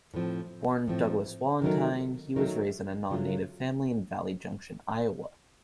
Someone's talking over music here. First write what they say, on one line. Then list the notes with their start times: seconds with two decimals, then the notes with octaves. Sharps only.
Born Douglas Wallentine, he was raised in a non-Native family in Valley Junction, Iowa.
0.14 A2 F3 C4
0.88 A2 F3 C4
1.62 D#3 F#3 A3 D#4 A#4
2.36 D#3 F#3 A3 D#4 A#4
3.10 C#3 F#3 A3 C#4 F4